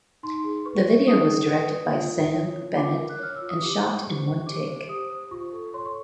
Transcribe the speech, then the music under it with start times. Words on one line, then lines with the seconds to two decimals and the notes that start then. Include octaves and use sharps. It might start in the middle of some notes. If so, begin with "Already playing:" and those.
The video was directed by Sam Bennett and shot in one take.
0.23 D#4 C6
0.44 G#4
0.66 B4 C#6
0.86 D5
1.07 D#4 D#6
1.29 G#4
1.50 B4
1.71 D5
1.93 F4
2.14 A#4
2.35 C#5
2.56 F4
2.77 F4 D6
2.98 A#4
3.09 F#6
3.19 C#5 F6
3.36 E6
3.41 F4
3.49 D#6
3.62 G4 D6
3.84 C5
4.04 G4 C#6
4.25 C5
4.46 G4 D6
4.68 C5
4.89 G4 D#6
5.10 C5
5.31 F4 C#6
5.53 A4
5.74 C#5 C6
5.86 C#6